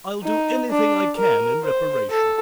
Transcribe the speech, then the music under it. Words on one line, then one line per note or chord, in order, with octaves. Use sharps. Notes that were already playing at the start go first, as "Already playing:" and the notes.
I'll do anything I can in reparation.'
D#4
D4
A#4
C5
A4